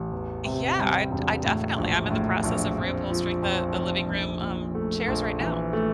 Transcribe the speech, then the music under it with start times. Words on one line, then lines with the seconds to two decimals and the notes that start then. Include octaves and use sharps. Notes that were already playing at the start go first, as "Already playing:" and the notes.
Yeah, I'd I definitely I'm in the process of reupholstering the the living room, um, chairs right now.
Already playing: A1
0.12 E2
0.45 C3
0.79 G3
1.11 E1
1.44 A2
1.77 A#1
2.10 A2
2.43 A#1
2.77 F2
3.10 F3
3.42 F2
3.75 F1
4.08 A#1
4.41 A#2
4.75 A3
5.08 A#1
5.41 E3
5.73 A3